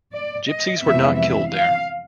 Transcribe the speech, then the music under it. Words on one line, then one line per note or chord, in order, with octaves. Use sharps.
Gypsies were not killed there.
D5
D#5
F2 C3 E3 G#3 B3 E5
E5
F5